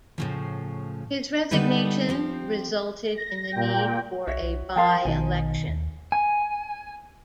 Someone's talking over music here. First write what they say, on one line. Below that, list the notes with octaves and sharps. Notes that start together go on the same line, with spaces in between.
His resignation resulted in the need for a by-election.
A2 C#3 F3
D3 G3 B3 D#4 A4 B4
F3 C4 G4
A#6
A#2 G5
B1 F#4 C#5 E5
B1
F3 F4 A#4 F5 G5 A5 C6
A#1 B2 D#3 D#4 G#5
D#2
G#5